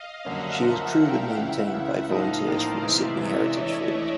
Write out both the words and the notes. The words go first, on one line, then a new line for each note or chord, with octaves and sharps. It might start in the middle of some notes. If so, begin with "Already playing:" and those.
She is crewed and maintained by volunteers from the Sydney Heritage Fleet.
Already playing: D#5 F5
F#2 D3 G3 A#3 C#4 E5 F#5
F3 A#3 D4 F4 A#4
F3 A#3 D4 F4 A#4 F5 G5
C#2 C#3 E3 E5 F#5
C#2 C#3 E3
A2 F3 A#3 D#4 D#5 F5
A2 F3 A#3 D#4 C5 D5
C3 E3 G#3 D5 E5
C3 E3 G#3 C#5 D#5
E3 A3 D4
E3 A3 D4